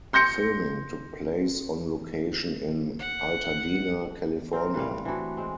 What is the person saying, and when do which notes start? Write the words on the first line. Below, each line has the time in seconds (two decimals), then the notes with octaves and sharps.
Filming took place on location in Altadena, California.
0.13 C6 G6 A#6 C#7
2.99 F#5
4.53 C4 A#4
4.74 A2 E3 G3 F5
5.05 E3 C4 D4 F#4
5.37 G#3 C4